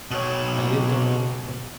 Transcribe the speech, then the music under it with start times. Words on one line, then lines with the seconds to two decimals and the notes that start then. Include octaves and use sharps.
I lived on honeycomb.
0.11 B2 C#5